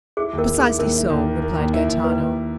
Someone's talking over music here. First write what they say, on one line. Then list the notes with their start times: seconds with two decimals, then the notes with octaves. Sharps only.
"Precisely so," replied Gaetano.
0.17 E4 G#4
0.33 D#2
0.38 A#4
0.49 D#2
0.59 E4 G#4
0.79 D#2 A#4
0.94 E4
1.10 D#2
1.27 A#3
1.42 A#3
1.58 D#2
1.73 E4
1.89 D#2
2.04 D#2 B4
2.19 D#2